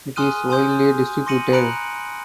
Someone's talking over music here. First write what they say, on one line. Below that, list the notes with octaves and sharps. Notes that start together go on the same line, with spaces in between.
It is widely distributed.
G#5 C6 D#6 F6 F#6 D#7
G#5 C6 D#6 G6
C6 D6 A#6 C#7 D#7 F#7
A#5 B5 F#6 C#7 D7 F#7